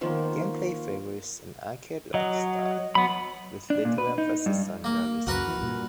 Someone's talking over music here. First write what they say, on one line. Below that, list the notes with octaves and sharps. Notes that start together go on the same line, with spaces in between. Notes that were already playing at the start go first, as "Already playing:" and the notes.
Gameplay favors an arcade-like style, with little emphasis on realism.
D#3 F3 A#3 B3 C5 C#5
F#3 D#5
F#3 B3 B5
D4
A#2
B4
D#4
G2
A#3
C#2 F#2 C#3 F#4 A#4 B4
E3
G2 A#2